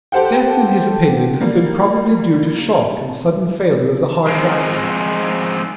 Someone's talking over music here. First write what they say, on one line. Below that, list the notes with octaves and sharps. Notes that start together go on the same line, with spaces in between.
Death, in his opinion, had been probably due to shock and sudden failure of the heart's action.
G4 A4 C5 F#5 G5
G3 A#3
F3 G#3 C4 D#4 F4